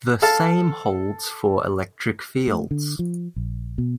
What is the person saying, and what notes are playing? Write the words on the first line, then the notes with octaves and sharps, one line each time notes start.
The same holds for electric fields.
A4 F5 A5
A3
D3
F3
A#1
B2